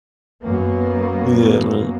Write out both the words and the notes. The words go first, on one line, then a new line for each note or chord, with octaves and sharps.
Yeah man,
F#2 A#3 B3